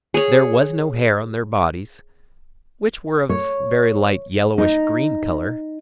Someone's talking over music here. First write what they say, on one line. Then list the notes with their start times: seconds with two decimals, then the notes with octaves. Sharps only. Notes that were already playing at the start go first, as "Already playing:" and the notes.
There was no hair on their bodies, which were of a very light yellowish-green color.
0.14 G#4 C#5
3.29 C#5
4.58 D#4